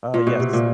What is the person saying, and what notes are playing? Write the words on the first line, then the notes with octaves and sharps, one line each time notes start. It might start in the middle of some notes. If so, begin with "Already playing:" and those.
Uh, yes.
A#2
B2
C3
A#2